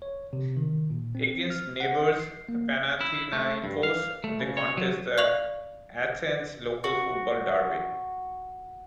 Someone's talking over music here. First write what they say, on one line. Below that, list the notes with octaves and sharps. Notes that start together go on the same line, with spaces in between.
Against neighbours Panathinaikos, they contest the Athens local football derby.
C#5
C3
D#3
A#2
C4
F6
F#5
C7
A#3
E4
A3
G2
F5
A3
C#3
C#5
F#3
D5 F5 C#6 F#6 F7 F#7
F#4 C#6